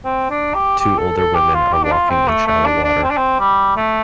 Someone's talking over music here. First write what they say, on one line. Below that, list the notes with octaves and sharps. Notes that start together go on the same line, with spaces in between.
Two older women are walking in shallow water.
C4
D4
G4
G4
A4
A4
G4
F4
G4
D4
F4
C4
A3
A3
D4
D4
C4
D4
C4
G3
A3